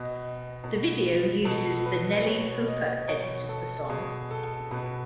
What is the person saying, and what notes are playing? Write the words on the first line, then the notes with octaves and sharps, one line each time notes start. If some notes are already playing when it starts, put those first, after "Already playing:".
The video uses the Nellee Hooper edit of the song.
Already playing: B2 D#5
B2
B2 A4
B4
B2 C#5
D#5
B2 C#5
A4
B2 G#4
A4
B2 B4